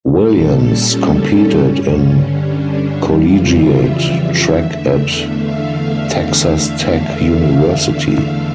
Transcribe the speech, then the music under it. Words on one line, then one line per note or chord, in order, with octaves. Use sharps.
Williams competed in collegiate track at Texas Tech University.
A#2 G3 A4
C#4
G2 D3 G3
D4
F2 C#3 E3 G3 F4
E5
E2 D3 A3
F5